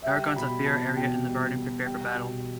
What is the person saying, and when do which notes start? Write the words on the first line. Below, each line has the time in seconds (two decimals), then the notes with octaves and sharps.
Eragon, Saphira, Arya, and the Varden prepare for battle.
0.02 E5
0.06 G3 G5
0.36 B2 B5
0.66 B3 A5
0.97 B2 G5
1.26 G3
1.55 B2
1.85 G3 G5
2.15 B2